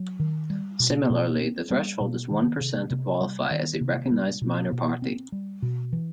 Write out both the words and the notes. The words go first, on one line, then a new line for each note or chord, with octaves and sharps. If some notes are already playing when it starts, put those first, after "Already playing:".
Similarly, the threshold is one percent to qualify as a recognized minor party.
Already playing: F#3
D#3
G3
B2
B2
C4
G3
B2
D#3
C3
C3
G3
D#3
C3
G3
B2
B2
C4
G3
B2
E3